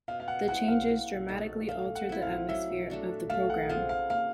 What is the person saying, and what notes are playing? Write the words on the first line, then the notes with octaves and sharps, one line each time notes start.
The changes dramatically altered the atmosphere of the program.
B2 F5
F5
F#5
G#3 C4 E4 F#5
F5
A#3
D#4 F#4 A4
A3 F5
F#5
C4 E4
F5
F#3 E5
A3 D4 F#4
A3 F5
F#5
C4 F4 G#4 F5
F5
A#3 F5